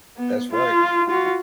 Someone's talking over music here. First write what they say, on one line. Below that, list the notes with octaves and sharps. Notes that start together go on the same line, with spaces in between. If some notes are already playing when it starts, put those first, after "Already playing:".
That's right
B3
F4
F4 F#4